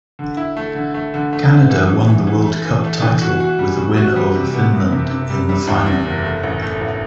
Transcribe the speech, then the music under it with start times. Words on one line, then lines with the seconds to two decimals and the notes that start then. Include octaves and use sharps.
Canada won the World Cup title with a win over Finland in the final.
0.19 D3
0.37 E4
0.57 A3
0.75 D3
0.94 A3
1.14 D3
1.33 A3
1.51 D3
1.70 E3
1.89 E3
2.08 E3
2.27 E3
2.45 A3
2.65 E3
2.84 A3
3.02 E3
3.22 F#4
3.40 F#4
3.59 G3
3.79 F#4
3.97 F#4
4.16 G3
4.35 C3
4.54 B3
4.73 F#1
4.92 C3
5.10 C3
5.30 G3
5.49 G3
5.67 E2
5.86 E2
6.05 F#1
6.24 A3
6.43 A1
6.62 A3
6.81 A1